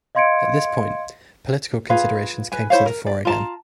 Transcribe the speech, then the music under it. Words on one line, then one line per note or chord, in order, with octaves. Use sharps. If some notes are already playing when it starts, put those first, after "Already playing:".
At this point, political considerations came to the fore again.
D#5 F5 C6 G#6 C#7 D7
F4 G#4 B4 F5
B4 G#5
E4 C5 C#5 F5
A#4
D5
F4 A5 A#5